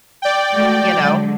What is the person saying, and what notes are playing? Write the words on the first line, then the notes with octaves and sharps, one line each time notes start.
you know.
D5 G5
G#3 A3 F#4
D3 F#3 G#3